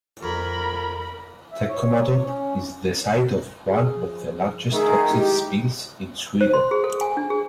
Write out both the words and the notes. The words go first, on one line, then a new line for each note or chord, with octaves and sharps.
Teckomatorp is the site of one of the largest toxic spills in Sweden.
F2 A#4 B5
E5
C#5
C#4
G#4
F3
D#3 A3 D#4 G#4 E5
G#3 D#4 E4 G4
C5
C6
G#4
A4
G#5
D4
G#4